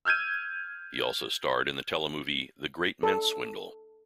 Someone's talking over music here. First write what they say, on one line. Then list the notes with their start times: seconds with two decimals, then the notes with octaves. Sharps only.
He also starred in the telemovie "The Great Mint Swindle".
0.05 E6 F6 G6 G#6 D#7
3.03 A4